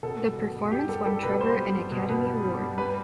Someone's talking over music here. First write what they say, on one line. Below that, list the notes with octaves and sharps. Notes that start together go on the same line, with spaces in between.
The performance won Trevor an Academy Award.
B2 A4
G3
B2
G3
G3 G4
G3 A4
G3 A4
B2 B4
G3 C5
G3
G3
B2
B2 B4
G3
G3
G3
G3 B4